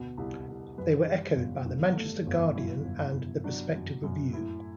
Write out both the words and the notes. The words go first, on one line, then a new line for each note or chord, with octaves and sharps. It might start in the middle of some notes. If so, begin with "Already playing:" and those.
They were echoed by the "Manchester Guardian" and the "Prospective Review".
Already playing: D2 B2
C2
C2
F#2 B4
G3
G1
G2
A3
G1
F#2 E4
G1
G1
F#3 D4
F#2
F#2
A2 E4